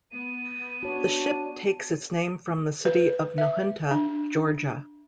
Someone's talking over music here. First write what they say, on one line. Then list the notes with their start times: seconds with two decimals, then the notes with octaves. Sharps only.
The ship takes its name from the city of Nahunta, Georgia.
0.12 B3 D#7
0.83 D4 F#4 C#5
2.85 B4
3.38 E5
3.91 D4